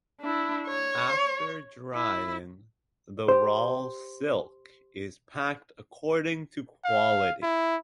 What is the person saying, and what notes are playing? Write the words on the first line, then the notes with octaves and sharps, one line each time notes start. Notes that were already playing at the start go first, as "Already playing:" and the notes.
After drying, the raw silk is packed according to quality.
D4 E4
C#5
E4
G4 C5
F5
E4